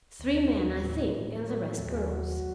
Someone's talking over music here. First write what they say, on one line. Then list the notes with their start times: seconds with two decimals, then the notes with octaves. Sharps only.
Three men, I think, and the rest girls.
0.19 D#2
0.52 D#2
0.84 A2
1.15 A2
1.47 F#3 C#5
1.69 A4
1.79 D#2
1.89 G#4
2.11 F#3 F#4